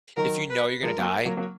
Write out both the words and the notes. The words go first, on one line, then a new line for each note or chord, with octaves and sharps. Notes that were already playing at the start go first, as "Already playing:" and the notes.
if you know you're gonna die
D#3 F#3 A#4
B4
F3 G#3 A#4
F#3 A#3
F#3 A#3
F#3 A#3